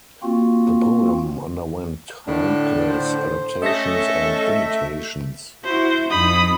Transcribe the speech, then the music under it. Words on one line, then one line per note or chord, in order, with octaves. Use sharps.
The poem underwent countless adaptations and imitations.
A#3 C4 F4 F#4
A2 D3 D4
C5
A3 C#4 A4 D#5 E5 A#6
E4 F#4 C5
F2 D#4 B5 D#6